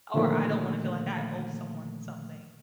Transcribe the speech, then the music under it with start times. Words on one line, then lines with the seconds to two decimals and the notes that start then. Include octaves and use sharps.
or I don't wanna feel, like, I owe someone something.
0.14 A#2 D3 D#3 F3 A3 A#3